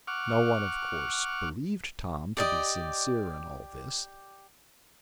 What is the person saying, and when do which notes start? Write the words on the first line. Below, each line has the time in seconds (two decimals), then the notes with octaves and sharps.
No one, of course believed Tom to be sincere in all this.
0.07 F#5 C#6 D6 F6
2.37 G4 D5 D#5